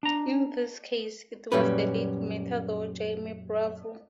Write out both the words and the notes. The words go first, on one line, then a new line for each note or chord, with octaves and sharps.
In this case, it was the late Matador Jaime Bravo.
D4 A#5
F#2 A#2 G3 C#4 B4